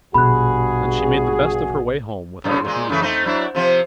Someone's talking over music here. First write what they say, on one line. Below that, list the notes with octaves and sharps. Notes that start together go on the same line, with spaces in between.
Then she made the best of her way home without looking behind her.
A#1 G2 B2 F#4 G#4 B5 F#6
F#2 A2 C#3
A#2 G#3
C#3 E3 A3
A3 C4 D#4
F#3 D4 E4
C3 F3 C4